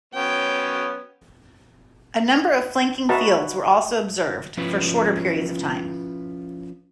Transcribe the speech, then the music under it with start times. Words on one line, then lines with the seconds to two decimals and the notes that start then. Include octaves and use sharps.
A number of flanking fields were also observed for shorter periods of time.
0.14 F#3 B3 C#4 G5
3.09 F#4 B4 D#5 E5 A5 A#5
4.57 F3 C#4 E4 F4 B4